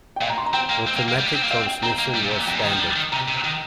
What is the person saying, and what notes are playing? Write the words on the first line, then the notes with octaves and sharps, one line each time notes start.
Automatic transmission was standard.
G5
A#2 F5
A#5
C6
A#5
C4 G5
A#3
C4
A#3
A#3
G3
A#3
C4
A#3
C4 F5
G5
C4 A#5
A#3
G3
A#2
C3
A#2
F2 G5
A#2
D#3 A#5
F3 G5
G3
D#3
C3 A#5
C3
D#3